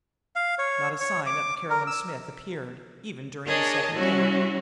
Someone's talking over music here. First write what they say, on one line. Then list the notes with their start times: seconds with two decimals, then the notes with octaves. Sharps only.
Not a sign of Caroline Smith appeared even during the second day.
0.36 F5
0.59 C#5
1.00 C#5
1.27 D6
1.70 A#4
1.87 E6
3.46 D4 G#4 A#4 C#5 D#5 A5
3.94 G3 C#4 E4 F#4